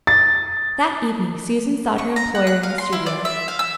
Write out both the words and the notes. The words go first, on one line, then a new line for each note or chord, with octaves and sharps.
That evening Susan sought her employer in the studio.
A6
C#6
A#5
F#5
F#6
F5
C6
E4
D5
E5
F5
E6